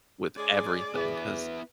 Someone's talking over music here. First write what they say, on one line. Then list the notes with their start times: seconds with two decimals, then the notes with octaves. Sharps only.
with everything 'cause,
0.37 G#3 C#4 G#4 D5
0.94 D2 B3 E4 G#4 B4